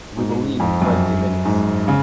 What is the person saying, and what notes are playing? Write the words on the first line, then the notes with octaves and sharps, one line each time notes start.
We will leave in twenty minutes.
G#2
F2
F#2
G#2
C#3